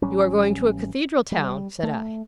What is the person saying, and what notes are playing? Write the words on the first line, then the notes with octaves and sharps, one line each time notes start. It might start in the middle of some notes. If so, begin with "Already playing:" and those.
You are going to a Cathedral town?' said I.
A1 F#3 G3 C#4
G3
A3